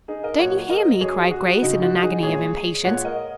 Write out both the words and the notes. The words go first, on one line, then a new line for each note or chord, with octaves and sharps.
"Don't you hear me?" cried Grace in an agony of impatience.
D#4 G#4
A#4 D#5
A#2 F#3 C#5 F#5
A#4 D#5
F#2 F#3 G#4 C#5
G#4
F#4
F#2 C#3 F#3 D#4
F#4
D#4 G#4
A#2 G#3 G#4 C#5
A#2 G#3 C#5 F#5
A#4 D#5